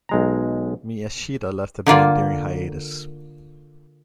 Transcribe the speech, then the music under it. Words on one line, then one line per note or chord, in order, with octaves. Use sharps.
Miyashita left the band during hiatus.
B1 G#3 A#5
D3 A#3 F4 D5